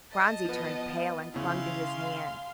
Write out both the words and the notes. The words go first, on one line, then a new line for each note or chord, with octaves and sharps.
Phronsie turned pale and clung to his hand.
D#5 A5
F3 B3
C#3 E4 F5 C6